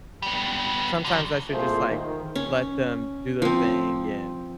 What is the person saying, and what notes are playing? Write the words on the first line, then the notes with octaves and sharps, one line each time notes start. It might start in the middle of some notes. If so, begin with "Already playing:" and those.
sometimes I should just, like, let them do their thing, and,
G3 B3
D3 F#3
C2 A#2 A3 F4 G#4 C5
D#3
C#4
F3 C4